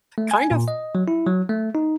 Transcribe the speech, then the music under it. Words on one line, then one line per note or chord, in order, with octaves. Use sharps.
kind of
A3
G#5
A#2
D#5
F#3
E4
F#3
A3
D#4